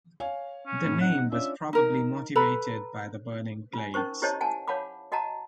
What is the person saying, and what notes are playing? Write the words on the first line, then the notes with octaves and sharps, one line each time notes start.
The name was probably motivated by the burning glades.
C#5 F5 G#5
C#4
A2 C3
C4 D#4 F#5
C#4 D4 F4 E5
D#4 A#4
A4 B4 A#5 B5
F4 G#5
C#4 D#4 A#4 C5 C#6
E4 G4 C5 C#5 D#5 A5
F#5 G#5 A5
C#5 F5 F#5 A5 B5 D6
F#4 D#5 F#5 A5 A#5